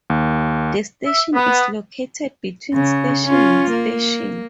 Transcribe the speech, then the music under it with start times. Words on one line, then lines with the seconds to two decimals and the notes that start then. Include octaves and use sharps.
The station is located between station and station.
0.10 D#2
1.06 E5
1.34 B3
2.74 C#3
3.25 C#4 F4
3.71 A#3